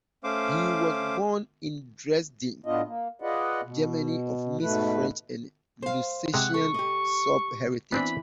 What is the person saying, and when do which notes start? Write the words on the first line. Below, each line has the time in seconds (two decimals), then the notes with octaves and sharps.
He was born in Dresden, Germany of mixed French and Lusatian Sorb heritage.
0.24 A3 C#4 C5 F5 D6
2.66 A2 B3 D4 F4 D#5
2.86 A#3
3.22 F4 G#4 B4 D5 D#5 F#5
3.63 B2
4.61 G#2 B2 A3 B4
5.82 C5 F5
6.34 C3 G#3 F#5
6.54 A4 C#6
6.74 G4 D#5
7.92 E3 B3 C4 D4 B5